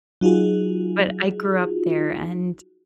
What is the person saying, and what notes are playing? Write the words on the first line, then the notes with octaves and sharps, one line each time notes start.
but I grew up there, and
F#3 D#4 F4 F#4 G#4